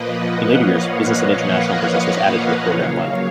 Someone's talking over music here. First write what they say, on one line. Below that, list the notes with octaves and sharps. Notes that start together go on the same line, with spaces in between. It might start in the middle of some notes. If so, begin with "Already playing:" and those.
In later years, Business and International Business was added to the program line-up.
Already playing: A#2 F3 A#3 B4 D#5
D#5 F#5
C#5 F5
D#5 F#5
D#5 F#5
C#5 F5
D#5 F#5
C#5 F5
C#3 F#3 A#3 C#5 F5